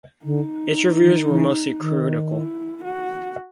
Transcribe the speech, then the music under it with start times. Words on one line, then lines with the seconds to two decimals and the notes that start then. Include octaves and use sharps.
Its reviews were mostly critical.
0.25 D3 D#4
1.03 E3
1.28 E3
1.81 D#3
2.33 E4
2.85 F#4